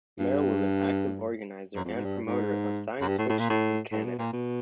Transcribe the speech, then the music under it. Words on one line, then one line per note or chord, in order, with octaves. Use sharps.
Merril was an active organizer and promoter of science fiction in Canada.
G2
F#2
F2
G#2
G2
G#2
F#2
G2
A2
A2
A#2
A2
A2
B2
A#2
B2